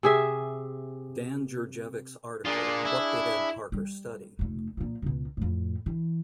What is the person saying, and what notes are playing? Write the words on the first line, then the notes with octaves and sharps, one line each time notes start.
Dan Djurdjevic's article What did Ed Parker Study?
C3 G#4 E5
A#3 D4 F4 G#4
E4
G3
F1 A3
A#2 F3
C#2 B2
F2 A2
E3